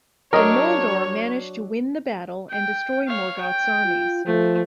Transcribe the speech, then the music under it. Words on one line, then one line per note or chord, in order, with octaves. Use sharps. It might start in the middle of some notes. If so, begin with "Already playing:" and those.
The Noldor managed to win the battle, and destroy Morgoth's armies.
F#3 D4 A#4 C#5 D#5
G5
C#5 F5
G5
F4
F3 A3